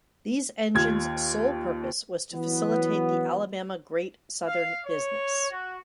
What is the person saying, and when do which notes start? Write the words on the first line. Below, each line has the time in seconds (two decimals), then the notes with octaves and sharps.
These engines sole purpose was to facilitate the Alabama Great Southern business.
0.75 D#2 F4 G#6
2.33 E3 F#3 B3
4.46 F5
4.84 C#5
5.50 F#4